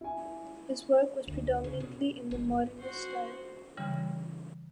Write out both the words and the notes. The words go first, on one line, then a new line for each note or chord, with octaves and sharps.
His work was predominantly in the Modernist style.
E4 G#5
D2
C#3
B2
G1
F#4 C5
C#3 E3 G3